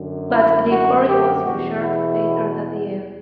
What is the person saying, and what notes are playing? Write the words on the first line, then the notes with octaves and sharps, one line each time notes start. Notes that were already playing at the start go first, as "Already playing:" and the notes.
But Liquori was injured later that year.
Already playing: F#2 D3
E4
F#4
G4
E2 B2 F#4
E4